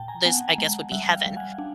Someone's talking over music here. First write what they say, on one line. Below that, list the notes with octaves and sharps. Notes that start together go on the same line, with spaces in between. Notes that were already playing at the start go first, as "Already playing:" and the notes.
this, I guess, would be heaven.
Already playing: A#2 G5 A5
G#5 A#5
B3 F#5 G#5
G#3
G3 E5 F#5
F5 G5
G3
F#5 G#5
D4